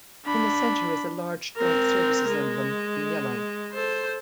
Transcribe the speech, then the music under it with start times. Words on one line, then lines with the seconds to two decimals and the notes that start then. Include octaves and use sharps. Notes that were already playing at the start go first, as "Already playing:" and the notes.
In the centre is a large joint services emblem in yellow.
0.25 D4 B5
1.57 C4 A#4
2.29 G#3
3.73 A4 C5